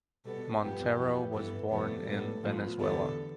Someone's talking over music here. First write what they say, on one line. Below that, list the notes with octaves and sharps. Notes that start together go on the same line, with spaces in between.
Montero was born in Venezuela.
B2 G3 B3 A4
G2 F3 B3 G4
F2 E3 B3
G2 E3 B3 A4
F2 C3 G3 B3 A4
A2 G3 B3
A2 F3 B3
E2 D3 G3 B3 A4